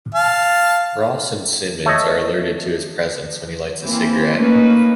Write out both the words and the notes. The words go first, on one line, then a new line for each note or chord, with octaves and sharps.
Ross and Simmonds are alerted to his presence when he lights a cigarette.
F5 A5
A3 C#5 D#5
E3 A#3 C4
A3 A#3 C#4 D#4 B4